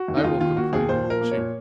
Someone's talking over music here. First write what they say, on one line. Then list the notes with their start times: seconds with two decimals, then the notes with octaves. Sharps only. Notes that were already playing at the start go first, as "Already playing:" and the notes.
I will complain to the Chief.
Already playing: F#4
0.08 D#2
0.17 D#4
0.24 D#2 F4
0.41 D#3 F4
0.56 A#3 F#4
0.73 D#2 G#4
0.89 A#2 C5
1.04 F3
1.10 A#4
1.21 A#3
1.31 C#5
1.37 A#2